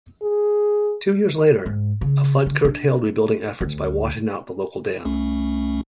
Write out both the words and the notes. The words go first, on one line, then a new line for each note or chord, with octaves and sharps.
Two years later, a flood curtailed rebuilding efforts by washing out the local dam.
G#4
G#2
C#3
D3
D4
D2
C2 A3 C#4